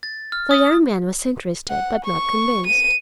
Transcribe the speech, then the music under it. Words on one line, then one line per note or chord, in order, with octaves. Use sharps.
The young man was interested, but not convinced.
A6
F6
D#6
F#5
C#6
D#7